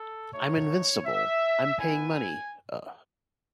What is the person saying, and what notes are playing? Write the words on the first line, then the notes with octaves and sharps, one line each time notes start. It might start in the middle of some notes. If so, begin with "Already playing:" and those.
I'm invincible, I'm paying money... uh...
Already playing: A4
A3 D#4 F#4 C#5
E5
B3 E4 G#5